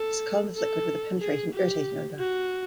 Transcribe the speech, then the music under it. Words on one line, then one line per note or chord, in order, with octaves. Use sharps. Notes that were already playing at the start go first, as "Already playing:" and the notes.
It is a colorless liquid with a penetrating, irritating odor.
Already playing: A4
A4
G#4
G4
F#4